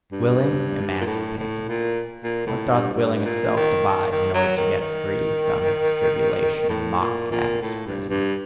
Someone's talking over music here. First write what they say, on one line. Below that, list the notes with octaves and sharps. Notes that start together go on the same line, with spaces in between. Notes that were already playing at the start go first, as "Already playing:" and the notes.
Willing emancipateth: what doth Willing itself devise in order to get free from its tribulation and mock at its prison?
G2
A#2
A2
A2
A#2
A#2
A2
G2
G2
A#2
D#3
D#3
D#3
F#3
D#3
D#3
A2
A#2
A#2
A2
G2
G2